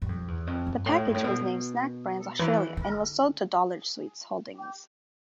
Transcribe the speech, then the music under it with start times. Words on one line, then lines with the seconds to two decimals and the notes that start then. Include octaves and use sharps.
The package was named Snack Brands Australia and was sold to Dollar Sweets Holdings.
0.02 G2
0.09 F2
0.28 E2
0.47 F2
0.67 G2
0.86 A2
1.06 G2
1.14 A2
1.24 B2
2.39 E3
2.77 D3